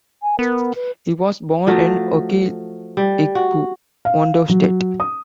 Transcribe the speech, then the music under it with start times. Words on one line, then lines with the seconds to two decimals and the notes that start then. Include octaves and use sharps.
He was born in Oke-Igbo, Ondo State.
0.23 G#5
0.39 B3 A#4
0.76 B4
1.67 F3 F#3 A3
2.97 G3
3.35 F#4
4.05 F5
4.49 F#3
5.00 D#6